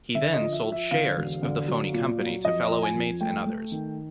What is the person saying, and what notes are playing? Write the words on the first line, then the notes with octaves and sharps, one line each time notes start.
He then sold "shares" of the phony company to fellow inmates and others.
D3 E5
D#5
F3
E5
F3
E5
D3 F5
E1
D3
F#3
A#2
F#3
F2 D#5
F3
G#5
F2
A3 G5
A3
D#3